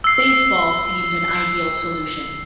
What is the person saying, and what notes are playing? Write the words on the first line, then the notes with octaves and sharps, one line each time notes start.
Baseball seemed an ideal solution.
E6 C7